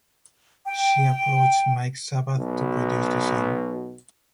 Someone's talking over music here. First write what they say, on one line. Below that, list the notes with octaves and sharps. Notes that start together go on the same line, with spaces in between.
She approached Mike Sabath to produce the song.
G5
B1 B2